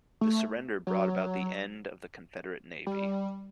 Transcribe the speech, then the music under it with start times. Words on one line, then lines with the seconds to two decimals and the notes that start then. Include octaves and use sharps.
This surrender brought about the end of the Confederate navy.
0.21 A3
0.87 F#3
2.87 G3